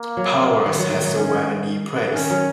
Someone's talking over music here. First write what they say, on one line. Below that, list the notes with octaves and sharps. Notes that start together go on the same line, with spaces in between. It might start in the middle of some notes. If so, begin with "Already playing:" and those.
Powers has to wear a knee brace.
Already playing: A#3
F#3
D#3
F#3
D#3
F#3
C#4
D#3 C#4
F#3